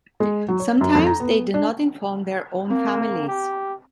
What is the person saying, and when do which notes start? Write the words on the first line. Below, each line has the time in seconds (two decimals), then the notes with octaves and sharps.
Sometimes they do not inform their own families.
0.20 G#3
0.48 F#3
0.60 C#5
0.81 F#2
0.95 F2
1.06 A#5
1.20 B3
1.54 D4
2.70 A#3 C4
3.27 G4